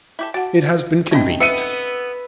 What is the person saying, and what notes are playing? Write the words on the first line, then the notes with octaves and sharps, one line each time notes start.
It has been convenient.
E4 G4 A4
F#4 F#5 A5
A3 C4 C#4 D#4 D#5 G5
B3 E5 E6 C#7 D#7